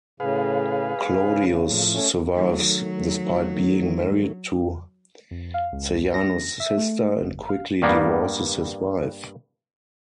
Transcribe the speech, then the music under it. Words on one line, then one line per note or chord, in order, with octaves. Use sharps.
Claudius survives despite being married to Sejanus' sister, and quickly divorces his wife.
A2 C#3 G#4 B4 F5
C#3
A2 F3
A3 C#4
D#3 F#3 A3
F2
F5
C#2
A#6
E5
A3
G1
F5
G2 G3 A#3 B3